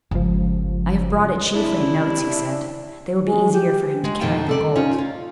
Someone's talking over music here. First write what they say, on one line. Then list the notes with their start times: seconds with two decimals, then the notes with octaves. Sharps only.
"I have brought it chiefly in notes," he said: "they will be easier for him to carry than gold."
0.11 G1 C#2 F3
1.55 C3 D4 E4
3.24 G#3
3.53 G4
4.04 G#3
4.21 F2 B2 D#3 A#3 D#4 G5
4.47 G3 A4 D5
4.75 C#4 D#4 F4
4.98 F4